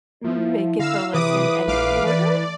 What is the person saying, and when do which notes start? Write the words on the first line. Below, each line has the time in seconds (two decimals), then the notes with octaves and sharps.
m make it the list in any order.
0.24 F3 A3 E4
0.79 D3 F5 B5 E6 A#6 C7
1.14 C3 E3 B4 D6 D#6
1.68 A#1 A3 F5 D6
2.06 E3 D5 B6